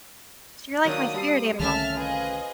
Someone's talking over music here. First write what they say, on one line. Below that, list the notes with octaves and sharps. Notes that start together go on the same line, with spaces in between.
You're like my spirit animal.
D#3 F#3 A#3 D4 D#6
G3 C4 A5 A#5 C7
C2 D3 D#3 A3 C#4 E5 A5 F6
F4 G#4 B4 C5 D#5